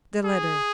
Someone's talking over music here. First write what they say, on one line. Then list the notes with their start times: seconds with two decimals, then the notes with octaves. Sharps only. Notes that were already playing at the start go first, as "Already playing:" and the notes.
The letter!
0.24 G#4